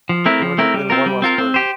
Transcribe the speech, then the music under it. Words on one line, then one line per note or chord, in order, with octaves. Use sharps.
There would have been one less burden.
F3
A3 C4 E4 A#4
F3
A3 C4 E4 A#4
G3
C4 F4 A#4
G3
C4 F4 A#4
C4
G4 C5